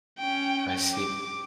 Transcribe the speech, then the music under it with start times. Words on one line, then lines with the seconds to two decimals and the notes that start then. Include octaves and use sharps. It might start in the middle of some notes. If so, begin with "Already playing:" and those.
I see
0.19 C#4 G5
0.94 D6